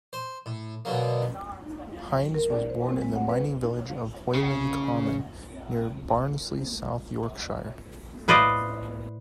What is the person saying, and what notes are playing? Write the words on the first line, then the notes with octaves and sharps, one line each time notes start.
Hines was born in the mining village of Hoyland Common near Barnsley, South Yorkshire.
C5
A2
B2 D3 F#3 A#3
A#4
D5
C5
C4
G#3
F#5
B4
C#3
A2 B4 C5 D5 D#5 F5